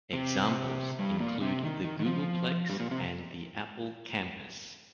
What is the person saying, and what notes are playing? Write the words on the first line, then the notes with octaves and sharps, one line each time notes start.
Examples include the Googleplex and the Apple Campus.
C3 C4
G2 G3
A#2 A#3
C3 C4
D#3
D#3
D#3
F3
G2 G3
A#2 A#3
C3 C4